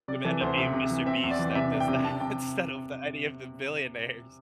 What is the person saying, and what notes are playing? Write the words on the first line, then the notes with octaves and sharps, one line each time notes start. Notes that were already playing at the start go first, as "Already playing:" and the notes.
It may end up being Mr. Beast that does that instead of the any of the billionaires.
C3 D5
E3 A4
D2 C5
C3 E5
C3
E3
C4 E5
E2
D5
E3
C3 E5
D4
G5
C3
C3 A5
C3 G5